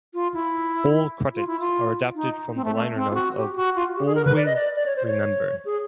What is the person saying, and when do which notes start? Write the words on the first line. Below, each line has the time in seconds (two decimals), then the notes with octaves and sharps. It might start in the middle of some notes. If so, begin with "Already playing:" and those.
All credits are adapted from the liner notes of "Always Remember".
0.14 F4
0.34 E4
1.34 F4
1.47 E4
1.60 F4
2.15 D#4
2.55 C4
2.64 A3
2.75 A3
2.95 C4
3.11 F4
3.15 F#4
3.36 G4
3.56 F#4
3.76 F4
3.96 G4
4.06 G#4
4.15 A#4
4.25 B4
4.36 D5
4.46 D#5
4.55 D5
4.76 D5
4.86 C#5
4.96 C5
5.06 C#5
5.65 G#4